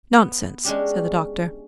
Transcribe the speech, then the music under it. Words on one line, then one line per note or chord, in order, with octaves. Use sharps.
"Nonsense," said the Doctor.
B3
G#3 C#4 D4 G4